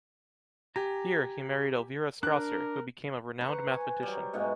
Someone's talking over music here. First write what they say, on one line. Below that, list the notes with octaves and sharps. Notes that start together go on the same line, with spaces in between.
Here, he married Elvira Strasser, who became a renowned mathematician.
G4 G#5 A#5
D4 A#4 F#6
B4 C5 A#5 C#6
G#5
F#3 G3
G#2 B2 G#3 A3